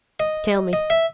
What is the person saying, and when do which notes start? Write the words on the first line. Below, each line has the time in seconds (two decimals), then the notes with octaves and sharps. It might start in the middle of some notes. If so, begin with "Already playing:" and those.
Tell me.
0.20 D#5
0.73 D#5
0.90 E5